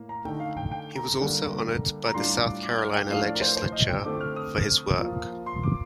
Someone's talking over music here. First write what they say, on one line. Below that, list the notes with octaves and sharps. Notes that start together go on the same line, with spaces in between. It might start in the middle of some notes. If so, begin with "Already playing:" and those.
He was also honored by the South Carolina Legislature for his work.
Already playing: A2 A#3
A#5
D3 A3 D#4 G5
F5
G5
G5
A#5
D3 G3 A#3
A#5
A2 G3 D4 F4 C6
D6
D6
F6
G5
A2 F3 A3 D4 F4 F5
D5
A#4
C5
C5
D#5
G5
D3 A3 C4 D6
F6
D#6
F3 A#3 F4
C6
D6